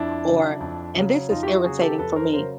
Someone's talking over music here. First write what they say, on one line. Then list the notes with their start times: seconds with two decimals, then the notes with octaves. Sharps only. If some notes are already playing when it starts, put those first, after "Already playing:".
or and this is irritating for me,
Already playing: F2 D4 E4
0.26 C#3 F#3
0.60 F2
0.95 C#3 F#3
1.30 F2 D#4 F4
1.43 G4
1.47 E4 F#4
1.64 C#3 F#3 F#4 G#4
1.81 G4 A4
1.98 F2 A4 B4
2.16 A#4 C5
2.33 C#3 F#3 A#4 C5